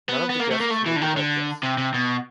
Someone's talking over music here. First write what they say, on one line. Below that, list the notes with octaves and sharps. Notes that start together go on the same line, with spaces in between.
None of the guests made the right guess.
B3
B3
A#3
A3
A#3
A3
E3
D3
D#3
D3
C3
C3
B2